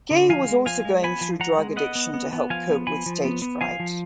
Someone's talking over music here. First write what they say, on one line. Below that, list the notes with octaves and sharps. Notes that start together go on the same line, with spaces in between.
Gaye was also going through drug addiction to help cope with stage fright.
D3
F3 F5 G#5
G#3
F3 F5 G#5
G#3
B3 G#5 B5
F3
F3 F#5 A#5
G#3
B3 D#5 F#5
B3
B3
B3
F3 F5 G#5
B3
F3 G#5 B5
F3
B3
B3
F3 F5 G#5
F3